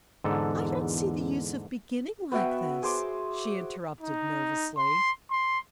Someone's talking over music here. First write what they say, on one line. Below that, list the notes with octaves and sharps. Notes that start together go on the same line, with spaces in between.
"I don't see the use of beginning like this," she interrupted nervously.
E2 G#2 D3 A4
B3 F#4 E5 G5
G#4 C5 D6
D#4
C6
C6